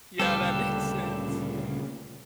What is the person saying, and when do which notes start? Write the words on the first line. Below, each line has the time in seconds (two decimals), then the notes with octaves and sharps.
Yeah, that makes sense.
0.19 D2 A#2 C#3 G3 G4 A4 B4 F5